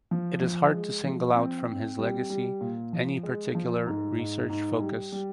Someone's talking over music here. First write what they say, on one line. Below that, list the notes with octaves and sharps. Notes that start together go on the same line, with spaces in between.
It is hard to single out from his legacy any particular research focus.
F3
F3
G#3
F3
C4
C4
G3
G3
A#2
F3
G#3
F3
G#2
G#2
G#2
G3
G3